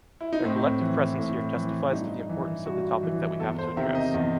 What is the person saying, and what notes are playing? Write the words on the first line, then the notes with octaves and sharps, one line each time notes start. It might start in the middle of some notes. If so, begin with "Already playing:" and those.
Their collective presence here testifies to the importance of the topic that we have to address.
E4
D#4
A2 C4
E3
A2
E3
G2 D#4
E3
G2 F#4
E3
E2 A4
C5
C3 D#3 E5
D#5
E2